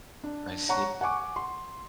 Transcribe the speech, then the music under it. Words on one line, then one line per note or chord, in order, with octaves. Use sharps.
I see
D4
C#5 F#5 A#5 C#6
F#5 G#5 C#6 D6
C6